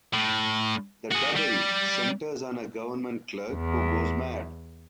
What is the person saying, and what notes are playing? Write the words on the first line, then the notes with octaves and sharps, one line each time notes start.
"The Double" centers on a government clerk who goes mad.
A2
F#4 G#4
G3
E2